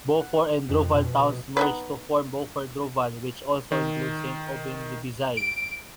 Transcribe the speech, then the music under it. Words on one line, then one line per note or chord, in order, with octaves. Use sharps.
Beaufour and Druval towns merged to form Beaufour-Druval, which also includes Saint-Aubin-Lébizay.
F#5
F2
B2
D#5
B3 D#4 B4
D#3
D7